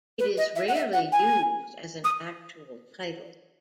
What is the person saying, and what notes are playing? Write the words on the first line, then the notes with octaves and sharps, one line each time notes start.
It is rarely used as an actual title.
B4
D#5
E5
F#5
E5
F#5
G#5
D#6